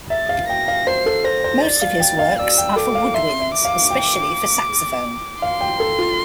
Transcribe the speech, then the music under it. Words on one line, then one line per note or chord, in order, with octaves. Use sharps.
Most of his works are for woodwinds, especially for saxophone.
E5 A6
F5
G5 A#6
F5
C5 C7
A4
C5 A#6
C5
D5 A6
F5
G5
F5
D5 E6
G5
A4 D6
F5
E5 C6
E5
D6
F5
G5
F5 C6
G5
A4
F4